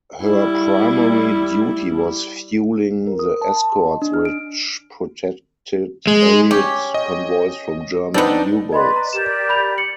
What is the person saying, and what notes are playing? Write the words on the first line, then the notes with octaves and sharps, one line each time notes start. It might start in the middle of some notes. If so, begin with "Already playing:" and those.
Her primary duty was fueling the escorts which protected Allied convoys from German U-boats.
G3 E4
A#4
D#6
A5
A5
C6
D#5
D4
F6
D7
G#3
C#4 G4
D#5
B3 C4 D4 D#4 D5
B4 D5 D#5 B5 C6
A#5
G4 A#4 D5 E7
B5 G6 F7
C#7 F#7